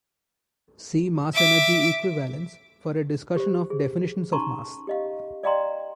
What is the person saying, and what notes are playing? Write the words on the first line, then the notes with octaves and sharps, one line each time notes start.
See mass-energy equivalence for a discussion of definitions of mass.
E5 D6
G4 C5
G#4
C#4 D#4 A5 A#5 C6 C#6
G4 D#5 F5
D5 D#5 F5 G5 A#5 C6